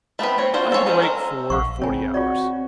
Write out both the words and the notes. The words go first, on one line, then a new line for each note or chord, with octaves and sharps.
"I have been awake for forty hours."
A3 B3 C4 B4
C4 C#5
D4 F4 F#4 C5
C4 A4 A#4 C#5 G#5
F#3 G#3 C#4 A4 C5
A4 A#4
A#1 F5 F#5 C#6
C#3 C4 C#5 G#5
F4 F#4 C#5 D5